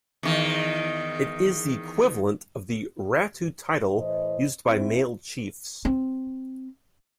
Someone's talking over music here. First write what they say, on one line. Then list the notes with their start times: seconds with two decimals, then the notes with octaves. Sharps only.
It is the equivalent of the "Ratu" title used by male chiefs.
0.23 E2 D#3
3.95 A2 E3 C5 D#5
4.67 C4 E4
5.85 C4